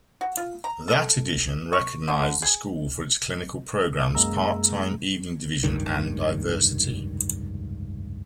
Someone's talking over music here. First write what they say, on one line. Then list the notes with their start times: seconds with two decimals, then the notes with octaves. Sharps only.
That edition recognized the School for its clinical programs, part-time evening division, and diversity.
0.21 F#4
0.37 F4
0.64 A#5
0.88 A4
1.73 C#6
2.08 D3
2.42 G#4
4.15 F#2 G#3 A#3 G#4 A#5 E6
5.63 F1 C#2 G2 D#3